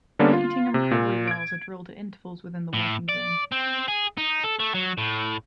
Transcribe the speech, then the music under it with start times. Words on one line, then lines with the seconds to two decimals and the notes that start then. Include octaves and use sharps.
Heating and recovery wells are drilled at intervals within the working zone.
0.19 D3 G3 A#3 B3 C#4 D4
0.33 F4
0.74 C3
0.91 A#2
1.28 G#6 D7
2.74 A2
3.09 D5
3.52 C4
3.88 G#4
4.17 D#4
4.44 A4
4.60 A3
4.74 F#3
4.98 A2